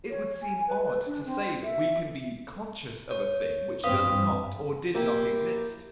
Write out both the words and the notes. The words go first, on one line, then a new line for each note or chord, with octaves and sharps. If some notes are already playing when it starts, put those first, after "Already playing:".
It would seem odd to say that we can be "conscious" of a thing which does not or did not exist.
C#5
G#5
B4
D4
C4
E5
C#5
G2 C4 B4 F5 D#6
A#3 E4 G4